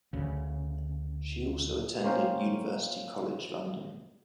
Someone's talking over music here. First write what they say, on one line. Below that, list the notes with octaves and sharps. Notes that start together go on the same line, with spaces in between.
She also attended University College London.
D2 C#3
A#3 C#4 C5 F5 G5